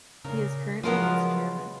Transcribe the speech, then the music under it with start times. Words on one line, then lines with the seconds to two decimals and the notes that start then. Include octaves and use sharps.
He is currently its chairman.
0.24 A#2 C#3 A#4
0.83 C#3 F3 F#3 G#3 B3 F4 A#4 F#5